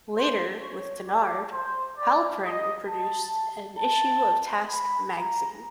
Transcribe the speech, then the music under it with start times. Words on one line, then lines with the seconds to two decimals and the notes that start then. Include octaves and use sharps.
Later, with Tunnard, Halprin produced an issue of Task magazine.
0.17 C5
0.62 C#5
1.07 D5
1.53 C5
1.98 D5
2.44 D#5
2.88 A5
3.79 A5
4.69 B5
5.16 A#5